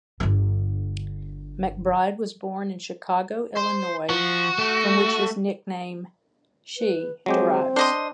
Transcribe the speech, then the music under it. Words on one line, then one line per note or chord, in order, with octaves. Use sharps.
McBride was born in Chicago, Illinois, from which his nickname, Chi, derives.
G1 D3
C5
F3 F#4
A3
B4
F#3 G#3 C4 G4
D4 C5 D#5 C6